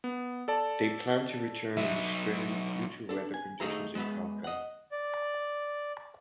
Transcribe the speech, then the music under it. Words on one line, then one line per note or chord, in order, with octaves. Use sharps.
They planned to return in the Spring due to weather conditions in Khalkha.
B3
A4 D5 A5
F#3 D#4 E5
D4 A4
G#5
D#2 A3 D#4 G#4 E5 A#5
G#3 B3 E5
D#5 F#5
D5